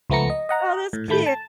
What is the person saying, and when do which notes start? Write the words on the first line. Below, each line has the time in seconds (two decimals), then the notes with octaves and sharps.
Oh, that's cute.
0.10 C#2 F3 A3 B3 A#5 C#7
0.30 D#5
0.49 D#5 F#5 A#5
0.93 A2
1.08 A2 D#3 A3 B5 G6
1.26 A5